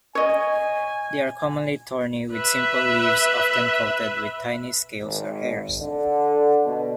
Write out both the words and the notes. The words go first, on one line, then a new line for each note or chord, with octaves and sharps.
They are commonly thorny, with simple leaves often coated with tiny scales or hairs.
C#5 D#5 G#5
B4 E5
G#1
D3
B2